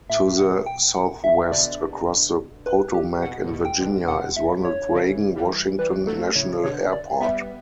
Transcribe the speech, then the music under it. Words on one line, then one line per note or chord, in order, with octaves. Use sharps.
To the southwest, across the Potomac in Virginia, is Ronald Reagan Washington National Airport.
A2 E5
B2 F#5
G5
F#5
E5
B2 D3 D5
B4
G4
B2 F#5
A2
B2
G5
B2 D3
B2 D3 F#5
E5
C#5
C#3 E3
E3 G3
E3 G3 B4
F#3 A3 A4
A2 C#3 C#5
B2 D3 C#5
D5
G3 B3 E5